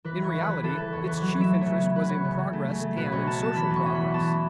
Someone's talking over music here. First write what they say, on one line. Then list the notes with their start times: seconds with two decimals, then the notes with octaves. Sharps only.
In reality its chief interest was in progress and in social progress.
0.04 E3 B4
0.20 C#2 C#5
0.34 E3
0.43 B4
0.49 E3
0.64 E3 A4
0.77 E3 B4
0.93 E2 C#5
1.07 E3 B4
1.21 F#3 C#5
1.36 F#3 E5
1.51 A3
1.61 C#3 C#5
1.81 B3
1.95 C#3 B4
2.09 B3 C#5
2.24 C#3 C#5
2.38 C#3
2.53 A3
2.68 C#3
2.83 A3
2.96 B2 B4
3.12 B1 C#5
3.26 B3 A5
3.42 B3 A5
3.55 E3 B5
3.70 E2
3.76 C#6
3.86 C#4
3.95 B5
4.00 E3
4.14 E2 A5